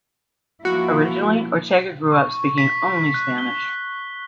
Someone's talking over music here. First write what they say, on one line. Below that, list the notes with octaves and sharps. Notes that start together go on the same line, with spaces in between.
Originally, Ortega grew up speaking only Spanish.
F3 A#3 E4 F#4
C#6
B6
F#6
G7
B6